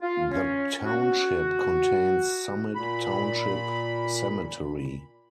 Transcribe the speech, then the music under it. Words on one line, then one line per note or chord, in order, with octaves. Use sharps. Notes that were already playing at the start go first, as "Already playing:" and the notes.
The township contains Summit Township Cemetery.
F4
C#4
F#4
A#2 B5